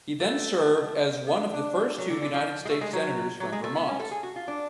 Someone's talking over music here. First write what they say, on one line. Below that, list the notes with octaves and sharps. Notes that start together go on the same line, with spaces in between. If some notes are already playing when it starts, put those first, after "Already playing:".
He then served as one of the first two United States Senators from Vermont.
A3
B3
D4
D4
F#3
D3
D3
F3
G#3
A3
G#3
F#3
F#3
G#3
A3
B3
C#4
A4
G#4
F#4
F4
D4